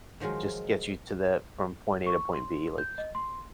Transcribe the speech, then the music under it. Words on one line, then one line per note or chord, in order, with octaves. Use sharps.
just gets you to that from point A to point B, like,
D#3 F3 F#3 G#3 F4
C#6
C6
G6
D#5
C6